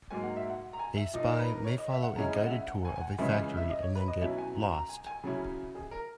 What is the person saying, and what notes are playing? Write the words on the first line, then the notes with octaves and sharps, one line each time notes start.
A spy may follow a guided tour of a factory and then get "lost".
G#2 F#3 A#3 G#5
F#5
E5
F#5
A#5
G#5
E5
A#2 A#3 D#4 D#5
A#4
B4
A#4
C#5
D#5
E5
F#5
C#3 G#3 C#4 E4 A#5
D#5
F#5
E5
F#5
G#5
G#5
F#5
C#2 C#3 E3 G#3 C#4 E5
G#5
E5
D#5
C#5
B4
D#5
B2 F#3 C#4 E4 E5
G#5
A#5
A#5
G#5
G#5
C#3 F#3 C#4 E4
G#4
A#4